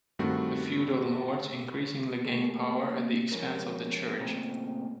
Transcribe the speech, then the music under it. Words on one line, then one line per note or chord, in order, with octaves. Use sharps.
The feudal lords increasingly gained power at the expense of the church.
G2 D#3 G3 A3 C4 F#4
A3 A#3 G4 A4
C3 A#3
F3 G#3 C#4 A#4
A#2 C#3 A3 C4 F4 A#5